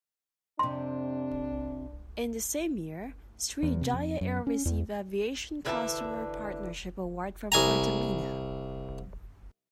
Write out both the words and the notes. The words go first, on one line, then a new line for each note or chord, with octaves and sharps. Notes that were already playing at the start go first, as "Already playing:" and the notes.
In the same year Sriwijaya Air received Aviation Customer Partnership Award from Pertamina.
F2 C3 D4 C6
E2
C3
F2
F#2
C#4
E2
D2 D3 E3 E5 F5 A5
C2 G#5 A#5